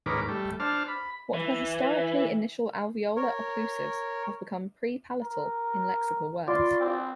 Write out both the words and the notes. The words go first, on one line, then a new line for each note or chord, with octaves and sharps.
What were historically initial alveolar occlusives have become pre-palatal in lexical words.
D#2 G#2 C#4 A#4 B4 D6
G3 A3
D4 C5 A5 F6
B5
E3
A#4 C#5
A#4
F4 D5 C6
C4